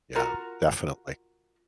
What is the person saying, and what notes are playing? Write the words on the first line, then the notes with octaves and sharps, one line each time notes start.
Yeah, definitely.
F4 F#4 A#4